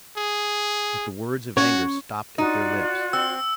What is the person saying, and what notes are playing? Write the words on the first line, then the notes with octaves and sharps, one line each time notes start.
But the words of anger stopped at their lips.
G#4
C#4 F#4 C#5
D#4 F4 F#4 D5
C4 E6